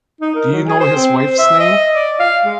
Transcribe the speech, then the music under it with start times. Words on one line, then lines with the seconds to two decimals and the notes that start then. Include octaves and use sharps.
Do you know his wife's name?
0.21 D#4
0.35 A#4
0.52 F#3
0.67 G#4
0.80 C5
0.96 C4
1.17 C5
1.39 E5
1.60 D#5
1.93 D5
2.19 F5
2.45 G#3